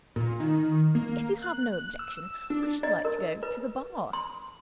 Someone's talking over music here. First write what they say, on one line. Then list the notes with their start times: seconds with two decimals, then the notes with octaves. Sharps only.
If you have no objection, I should like to go to the Bar.'
0.16 A#2
0.40 D#3
0.95 A#3
1.42 F#6
1.99 E6
2.50 D4
2.83 D#5
3.05 A#4
3.43 B4
4.13 C6